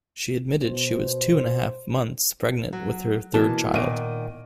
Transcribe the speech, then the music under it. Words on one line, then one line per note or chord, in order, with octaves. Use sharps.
She admitted she was two-and-a-half months pregnant with her third child.
B2 C5
F#3
B2 E3 A#3 A5
A#2 D#3 B3 D7 D#7